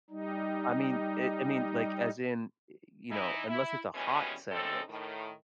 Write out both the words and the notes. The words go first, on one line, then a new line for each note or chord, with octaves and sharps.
I mean, it I mean, like, as in eh, you know, unless it's a hot sandwich.
G3 D#4
E3 D#4 E4
E4
D#2 B2 E3 G3 G#3 C#4
F#2 C#3 C4 D#4 A4
A2 D#3